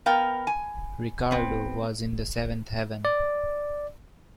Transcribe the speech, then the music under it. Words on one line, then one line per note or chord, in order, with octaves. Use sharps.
Ricardo was in the seventh Heaven.
B3 A#4 F5 G5
G#5
B3 C4
D5